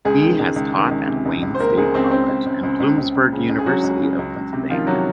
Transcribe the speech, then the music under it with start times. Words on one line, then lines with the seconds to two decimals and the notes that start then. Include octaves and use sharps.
He has taught at Wayne State College and Bloomsburg University of Pennsylvania.
0.05 C#2 G#3 G#4
0.22 D#3
0.39 C#2
0.56 C#2
0.74 D#3
0.91 C#2
1.08 C3
1.25 C#2
1.43 C#2
1.55 C5
1.60 C#2 A#3 A#4
1.77 C#2 G#3 G#4
1.94 C#2 C4 C5
2.11 C#3 C4 C5
2.29 C#2
2.46 C#2
2.63 C#2
2.80 C#2
2.98 C#2
3.15 C#2
3.32 C#3
3.50 C#2
3.59 G#4
3.66 C#2 F#3 F#4
3.84 C#2
4.02 C#3
4.19 C#2
4.36 C#2
4.53 C3
4.70 D#3 F3 F4
4.87 C3 F#3 F#4